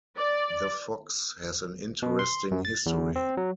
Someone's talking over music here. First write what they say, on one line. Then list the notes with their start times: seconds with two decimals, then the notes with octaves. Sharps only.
The Fox has an interesting history.
0.17 D5
2.02 B2
2.19 C6
2.51 F#2
2.65 A6
2.86 E2
3.16 C4
3.37 F#3